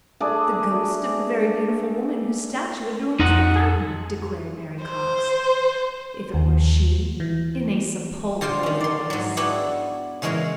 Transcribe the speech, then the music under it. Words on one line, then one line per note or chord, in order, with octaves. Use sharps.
"The ghost of the very beautiful woman whose statue adorns the fountain," declared Mary Cox, if it were she, in a sepulchral voice.
A3 D4 G#4 D5
F2 D#4 F#5
C5
D#2
E3
D3 F4 C5 G5
D#3 C#4
D5 C6
G#2 F#3
B3 D4 E4 F#4 G4
C#3 E3 G#3 A#4 C#5 A#5